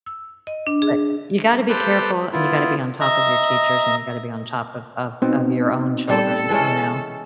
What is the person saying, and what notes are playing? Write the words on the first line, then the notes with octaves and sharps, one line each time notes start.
but you gotta be careful, and you gotta be on top of your teachers, and you gotta be on top of of of your own children, you know?
E6
D#5
D4
G#4
G4 A4 B4 C5 G5
B3 E4 F4
D#5 E5 A#5
B2 B3 C4 D#4
G3 A4 C5
E3 G#3 C#4